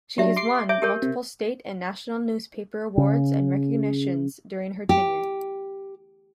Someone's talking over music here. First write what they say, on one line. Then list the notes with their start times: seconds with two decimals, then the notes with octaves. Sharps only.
She has won multiple state and national newspaper awards and recognitions during her tenure.
0.18 F#3 D4 G4 E5
0.36 C6 D6 C7
0.69 C#5 E5 D6
0.82 G4 A#4 C#5
1.02 C3
2.98 C#3
4.89 G4